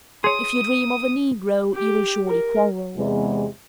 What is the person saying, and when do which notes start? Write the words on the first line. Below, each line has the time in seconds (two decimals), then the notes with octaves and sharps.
If you dream of a negro, you will surely quarrel.
0.24 G#4 C#5 C6 D#6
1.75 G4
2.28 A#4
2.97 E2 C3 G#3